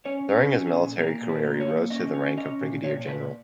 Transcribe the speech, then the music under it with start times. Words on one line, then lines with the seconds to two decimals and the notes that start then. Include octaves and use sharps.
During his military career he rose to the rank of Brigadier general.
0.05 C#4 C#5
0.29 C#4
0.36 B4
0.52 C#4
0.67 G#4
0.76 A#2
0.98 A#3 A#4
1.22 A#2
1.29 B4
1.44 A#3
1.60 C#5
1.67 A#3
1.90 C#4 D#5
2.14 C#4
2.37 C#4 D#5
2.61 A#2
2.84 A#2 C#5
3.07 A#2 B4